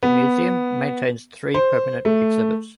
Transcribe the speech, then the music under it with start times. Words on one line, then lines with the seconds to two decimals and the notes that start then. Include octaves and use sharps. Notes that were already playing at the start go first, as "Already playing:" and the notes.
The museum maintains three permanent exhibits.
0.03 B3
1.54 C5
2.05 A3